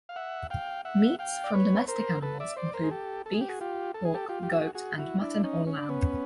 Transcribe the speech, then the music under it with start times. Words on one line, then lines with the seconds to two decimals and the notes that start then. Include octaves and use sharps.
Meats from domestic animals include beef, pork, goat and mutton or lamb.
0.09 F5
0.16 E5 F#5
0.50 F5 G5
0.85 E5 F#5
1.19 F5 G5
1.44 D5
1.54 B4 C#5
1.88 A#4 C5
2.22 A4 B4
2.40 D5 E5
2.56 C5 D5
2.74 A#4 C5
2.83 G#4
2.91 G4 A4
3.26 A4
3.33 G#4
3.41 G4
3.49 F#4 G#4
3.61 F4 G4
3.94 A4
4.05 G#4
4.14 G4 A4
4.29 F4 G4
4.43 G4
4.52 F#4 G#4
4.75 F#4 G#4
4.98 E4 F#4
5.21 D4 E4
5.44 C#4 D#4
5.67 C#4
5.78 D4
5.89 B3 C#4